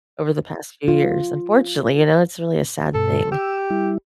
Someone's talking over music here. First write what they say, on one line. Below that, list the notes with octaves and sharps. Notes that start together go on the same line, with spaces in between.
over the past few years, unfortunately, you know, it's really a sad thing.
F4
G2 B2 A4
G4 E6
G3 E4